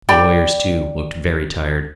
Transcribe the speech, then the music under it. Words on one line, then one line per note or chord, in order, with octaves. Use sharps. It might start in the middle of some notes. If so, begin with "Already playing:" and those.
The lawyers, too, looked very tired.
D5 G5 B5